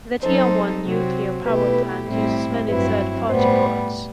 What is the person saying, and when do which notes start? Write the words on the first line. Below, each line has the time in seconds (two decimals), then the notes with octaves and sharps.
The Tianwan Nuclear Power Plant uses many third party parts.
0.23 F#3 C4 D#4 A4 C5
0.85 C3 F#3 C4
1.45 B2 A3 E4 G4 B4
2.07 A2 G3 C4 E4
2.68 G2 F#3 C4 E4 B4
3.29 A2 G3 B3 C5